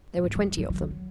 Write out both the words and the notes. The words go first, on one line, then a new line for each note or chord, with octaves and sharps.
There were twenty of them.
A2
G#2
F#3
G#3
F#3
E3
F#3
F#3